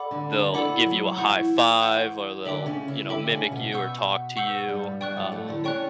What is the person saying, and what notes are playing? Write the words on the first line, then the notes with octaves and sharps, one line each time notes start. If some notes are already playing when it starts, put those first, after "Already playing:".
they'll give you a high five, or they'll, you know, mimic you or talk to you, um
Already playing: A4 D5 F#5 B5 D6
D3 D4
D3 D4
E3 E4 A4 D5 F#5 B5 D6
F#3 F#4
E3 E4 F#5 C#6 G6
F#5 C#6 G6
D3 D4 A4 E5 G5 D6
C#3 C#4
E3 E4
D3 D4 A4 E5 G5 D6
C#3 C#4
B2 B3
F#5 C#6 E6 G6
F#5 C#6 E6 G6
G2 G3
G2 G3 D5 G5 C#6 F#6
F#3
A2 A3
D3 D4
C#4 C#5 D5 G5 C#6 F#6